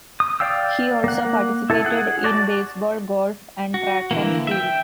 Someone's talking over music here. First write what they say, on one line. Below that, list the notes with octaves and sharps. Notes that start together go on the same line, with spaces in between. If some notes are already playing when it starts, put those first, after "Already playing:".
He also participated in baseball, golf, and track and field.
D#6
D5 F5 G5 E6
A#3 F#5
E4 A4
G#4 F#5
F#4 D5 A5
F#4
D3 E3 A#3
E5 G5